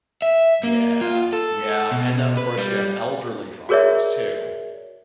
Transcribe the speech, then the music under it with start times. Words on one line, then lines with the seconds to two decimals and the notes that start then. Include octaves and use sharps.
Yeah, yeah, and then of course you have elderly drivers too,
0.22 E5
0.63 A#3
1.01 F4
1.33 A4
1.91 B2
2.37 B4
2.58 G3
3.69 F#4 G#4 A#4 C#5 D5 E5